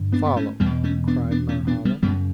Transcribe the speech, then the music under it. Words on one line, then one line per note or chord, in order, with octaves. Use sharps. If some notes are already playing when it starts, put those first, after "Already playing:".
"Follow," cried Norhala.
Already playing: G2 D3
B3 D4
B3
A3 C#4
E2 G3 B3
B2
A3 C#4
B3 D4
B3 D4
A3 C#4
B3 D4
G3 B3
F#2 C#3 G3 B3